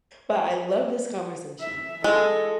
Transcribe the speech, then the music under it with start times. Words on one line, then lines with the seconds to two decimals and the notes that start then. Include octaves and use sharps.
but I love this conversation.
1.61 E5
2.04 G#3 F4 A4